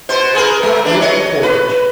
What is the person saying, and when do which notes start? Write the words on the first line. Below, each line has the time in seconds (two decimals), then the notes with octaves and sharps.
Milk Porridge.
0.09 B2 C5
0.35 G#4 A#4 B4
0.63 G#3
0.85 E3 D4
1.01 C#5 D#5
1.43 B4